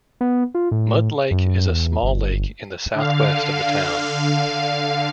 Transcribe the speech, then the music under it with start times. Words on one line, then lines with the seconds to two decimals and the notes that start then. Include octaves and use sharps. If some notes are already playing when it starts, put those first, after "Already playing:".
Mud Lake is a smaller lake in the southwest of the town.
0.21 B3
0.55 F4
0.71 A2
1.31 F#2
1.69 E2
2.03 G1
2.95 D3 F5